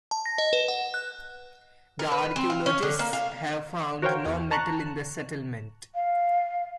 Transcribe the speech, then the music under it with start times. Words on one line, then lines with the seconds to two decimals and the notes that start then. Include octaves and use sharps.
The archaeologists have found no metal in the settlement.
0.11 A5
0.26 A#6
0.38 D#5
0.53 B4
0.68 F#5
0.94 F#6
1.99 A#4
2.12 B4
2.36 C4
2.50 F5
2.66 C#4
2.83 D3
2.99 A#3
3.13 F5
4.02 F#4 A#4 C5 C#5 F5 G5
4.26 E2
4.51 A5 A#5 C#6 F#6
5.94 F5